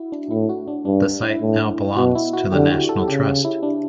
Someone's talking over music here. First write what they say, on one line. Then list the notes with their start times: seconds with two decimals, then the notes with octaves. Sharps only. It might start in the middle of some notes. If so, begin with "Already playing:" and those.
The site now belongs to the National Trust.
Already playing: E4 F#4
0.12 D4
0.31 A2 E4
0.49 F#4
0.68 D4
0.85 G2 D4
1.23 E4
1.41 A2
1.97 B2 F#4
2.15 E4
2.33 F#4
2.52 D3 G4
2.71 F#4
2.89 A4
3.08 C#3 G4
3.45 E4
3.63 D4